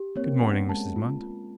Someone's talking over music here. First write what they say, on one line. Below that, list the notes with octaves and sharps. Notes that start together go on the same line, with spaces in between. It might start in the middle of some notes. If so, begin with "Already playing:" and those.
Good-morning, Mrs. Munt.
Already playing: G4
A#3 C4 C#5
B3 C#4 F#5
G#3 A5
G#3 F4
F4